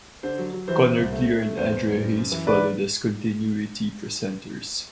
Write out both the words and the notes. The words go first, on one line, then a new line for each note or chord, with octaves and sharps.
Conor Clear and Andrea Hayes followed as continuity presenters.
D3 C5
F#3
F#3
E3 C5
C3
C2
A3
A3
A3
E2 C5
E2
G3
F#2
F#2
E3
D3 B4 D5